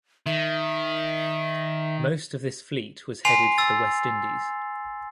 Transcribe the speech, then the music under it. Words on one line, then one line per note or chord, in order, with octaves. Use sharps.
Most of this fleet was headed for the West Indies.
D#3 E5
G#5 C6 C7 F7
E6 A6